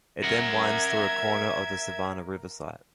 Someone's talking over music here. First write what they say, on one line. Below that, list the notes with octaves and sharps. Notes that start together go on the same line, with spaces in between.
It then winds through a corner of the Savannah River Site.
A#4 E5 F#5 G#6